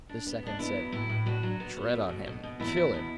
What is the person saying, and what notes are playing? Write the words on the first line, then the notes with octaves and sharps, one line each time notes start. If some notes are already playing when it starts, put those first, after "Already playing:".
The second said: 'Tread on him and kill him.'
D4
B3
B2 D4
B3 E4
F#3
A2 E4
A2
D4 F#4
F#3
B3
B3
A3
B2
B2
B2
E2 E4
E2
B2